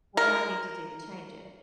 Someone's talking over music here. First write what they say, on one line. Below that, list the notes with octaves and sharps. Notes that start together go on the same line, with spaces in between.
what do I need to do to change it,
A#4